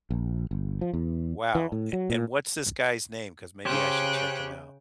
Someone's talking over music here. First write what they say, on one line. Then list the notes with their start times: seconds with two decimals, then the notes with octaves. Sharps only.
Wow, a and, what's this guy's name? 'Cause maybe I should check him out.
0.10 A#1
0.51 G1
0.81 F3
0.93 E2
1.55 E3
1.72 A2
1.93 F#3
2.10 A#2
3.65 C#3 C#4 G4 C5 G5 F#6